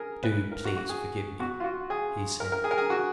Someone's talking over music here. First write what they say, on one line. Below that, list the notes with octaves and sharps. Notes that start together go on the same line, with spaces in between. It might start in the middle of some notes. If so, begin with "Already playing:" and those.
"Do please forgive me," he said.
Already playing: G#4 A#4
B4
A#4
F#4
F#4
G#4
B2 F#4
F4
F#4
G#4
A#4
A#4
G#4
A#4
G#4
F#4